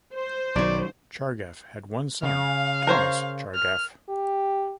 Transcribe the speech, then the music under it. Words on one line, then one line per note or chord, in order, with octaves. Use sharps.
Chargaff had one son, Thomas Chargaff.
C5
B1 D#3 F#3 C#5 D5
C#3 F5
A#4 C5 C#5
F6
G4